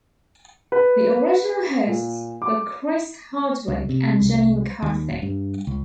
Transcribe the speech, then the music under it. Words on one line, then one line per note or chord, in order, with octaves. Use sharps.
The original hosts were Chris Hardwick and Jenny McCarthy.
B4
A#2
D6
C#2
C3
C2
D#2
D#1
G2
C#2